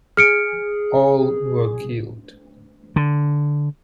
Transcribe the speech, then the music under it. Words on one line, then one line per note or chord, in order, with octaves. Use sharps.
All were killed.
G#4 F6 C#7 D7
D3